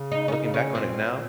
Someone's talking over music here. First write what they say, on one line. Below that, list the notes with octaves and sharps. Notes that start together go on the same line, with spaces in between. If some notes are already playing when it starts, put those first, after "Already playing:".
looking back on it now
Already playing: C#3
D#4
C#4
D#4
C#4
A#2 C4